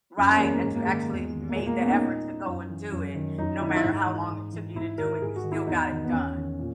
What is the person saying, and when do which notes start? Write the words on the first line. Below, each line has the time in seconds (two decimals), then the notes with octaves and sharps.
Right, that you actually made the effort to go and do it, no matter how long it took you to do it, you still got it done.
0.17 F#2 C#4
0.30 C#4
0.35 A#3
0.40 E3 G#3
0.52 A#3
0.63 G#2 G#3
0.75 A#3
0.86 D#3 G#3
1.09 E2
1.33 D#3
1.49 A#3
1.55 A#2 G#3
1.66 A#3
1.79 B3
1.84 C#4
1.90 D#4
2.01 A#2
2.46 F#2
2.70 E3
2.92 F#2
3.15 D#3
3.38 F#2 D#4
3.61 D#3 E4
3.69 D#4
3.76 E4
3.84 G#2 D#4
4.06 E3
4.30 G#2
4.53 E3
4.75 G#2 E4
4.98 D#3 A#4
5.22 G#2 G#4
5.36 F#4
5.44 D#3
5.52 E4
5.67 E2 D#4
5.90 D#3
6.05 B3
6.12 E2 C#4
6.35 D#3
6.59 A#2